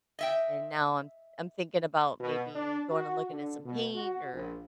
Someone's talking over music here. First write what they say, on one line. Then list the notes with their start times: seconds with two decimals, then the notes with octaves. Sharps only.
And now I'm I'm thinking about maybe going and looking at some paint or
0.19 D#5 E5 G5
2.20 B2
2.55 D4
2.92 F#4
3.31 D3
3.65 B2
3.95 F#4
4.33 A#1